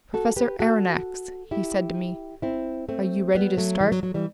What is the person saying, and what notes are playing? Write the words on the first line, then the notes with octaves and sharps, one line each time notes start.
"Professor Aronnax," he said to me, "are you ready to start?"
F#4 A4
G4 B4
F#4 A4
E4 G4
C4 E4
A3 C4
G3 B3
F#3 A3
E3 G3
F#3
F#3
E3 G3